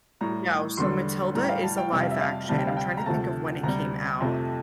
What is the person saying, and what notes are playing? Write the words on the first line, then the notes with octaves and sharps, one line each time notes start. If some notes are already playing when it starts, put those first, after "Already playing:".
No, so Matilda is a live action, I'm trying to think of when it came out
A2 G3 A#5
E2 D3 G3 C6
A2 G3 A#5
G5
F5
A5
G5
F2 C3 G3 G5
F5
E5
F5
D2 C3 G3 A5
G5
F5
G5
A#5
D2 C3 F3 A3 A5
D2 C3 G3 A#5
F2 C3 F3 A3